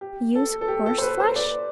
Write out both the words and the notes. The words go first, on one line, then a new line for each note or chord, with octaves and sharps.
Use horseflesh?
G4
A4
A4
G4
A4
C5
B4
C5
D5